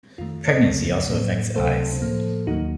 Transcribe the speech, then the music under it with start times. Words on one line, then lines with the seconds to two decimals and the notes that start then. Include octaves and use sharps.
Pregnancy also affects the eyes.
0.18 F2 D#3 A3 F4
0.49 C5 D#5
0.64 C#2 C#3 A3
1.09 A2 F#3 A#3
1.56 C#2 C3 F#3 A3 A4 C5
2.02 A2 F3 A#3
2.47 D#2 D#3 F#3 A#3 D#4 F#4